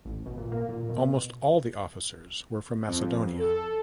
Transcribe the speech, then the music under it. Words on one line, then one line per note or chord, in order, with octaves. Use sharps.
Almost all the officers were from Macedonia.
A1
B2
A#2
A#3
A#2
B2
F2
A4